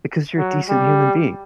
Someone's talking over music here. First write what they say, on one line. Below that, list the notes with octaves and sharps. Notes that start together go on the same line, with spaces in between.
Because you're a decent human being.
F#3
G3